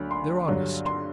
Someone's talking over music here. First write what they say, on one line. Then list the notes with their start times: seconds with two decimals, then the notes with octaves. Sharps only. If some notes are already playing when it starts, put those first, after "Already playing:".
They're honest.
Already playing: D2 D3 F#3 B5
0.11 C6
0.48 G2 D3 F#3
0.86 C6